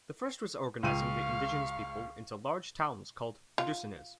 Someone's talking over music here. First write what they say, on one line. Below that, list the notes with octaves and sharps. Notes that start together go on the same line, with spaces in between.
The first was organizing the indigenous peoples into large towns called "reducciones".
C#2 F5 G5 C#6 D#7
F4